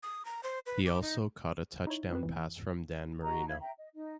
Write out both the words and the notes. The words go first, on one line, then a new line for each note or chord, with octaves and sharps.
He also caught a touchdown pass from Dan Marino.
D#6
A#5
C5
B4
D6
D#4
D#4 E4 C#5
F3 C4 B4
E2 E3
F#4 D#5 A5 A#5
E4 F5 G#6
E5 G5 A#5
D#5
D#4 D#5